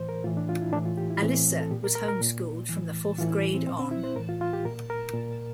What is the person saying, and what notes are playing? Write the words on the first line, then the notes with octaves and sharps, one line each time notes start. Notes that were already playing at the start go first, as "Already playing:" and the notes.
Alyssa was homeschooled from the fourth grade on.
Already playing: A2 E3 C5
A#4
A2 E3 F4
D4
F4
E4
A2 E3 D4
F4
G4
E4
A2 E3 C4
A4
A#2 G4
A#4
A#4
A#4
A#2
A2 E3
A2 E3 F4
E4
C4
A#2 C4
C4
E4
C5
A2 E3 A#4
F4
F4
G4
A#2 A#4
A#4
A#2